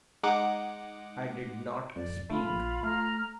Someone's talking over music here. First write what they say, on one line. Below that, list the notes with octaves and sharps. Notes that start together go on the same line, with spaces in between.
I did not speak.
G#3 D#4 F#5 D6
F2 D5
A3 F4 B5
A#1
A3 A#5 F6